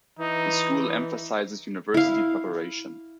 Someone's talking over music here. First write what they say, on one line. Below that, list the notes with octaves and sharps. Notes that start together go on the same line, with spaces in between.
The school emphasizes university preparation.
E3 D#4
E4 F5